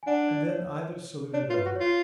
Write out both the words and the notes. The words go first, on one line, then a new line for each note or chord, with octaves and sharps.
And then either saluted other.
G#5
D4 F#5
D5
D5
C#5
D4 C#5
F4 C#5
B4
F#4
F4 C#5